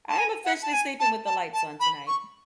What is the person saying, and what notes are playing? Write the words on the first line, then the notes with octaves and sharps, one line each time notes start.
I am officially sleeping with the lights on tonight.
A5
G#5
F#5
A5
G#5
A5
A5
A5
B5
C#6